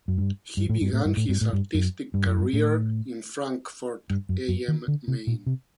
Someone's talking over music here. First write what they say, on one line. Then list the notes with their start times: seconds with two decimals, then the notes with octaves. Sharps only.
He began his artistic career in Frankfurt am Main.
0.08 F#2
0.18 G2
0.57 G2
0.69 A2
0.81 G2
0.93 A2
1.05 G2
1.17 A2
1.29 G2
1.41 A2
1.53 G2
1.74 F#2
2.14 G2
2.26 F#2
2.38 G2
2.53 A2
4.10 G2
4.29 F#2
4.48 F#2
4.68 D#3
4.88 D3
5.08 C3
5.27 A#2
5.46 C3